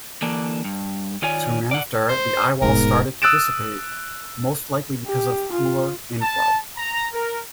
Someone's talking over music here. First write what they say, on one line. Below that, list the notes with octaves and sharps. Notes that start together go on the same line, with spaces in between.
Soon after, the eyewall started to dissipate, most likely because of cooler inflow.
D3 E3 A#3 D4
G2
D#3 F4 C#5 D5 G#5
D5 F#5
C5
D1 G#2 B2 A#4
D#6 E6 F#6 A6 D7 E7
G4
F4
A5
A#5
A#4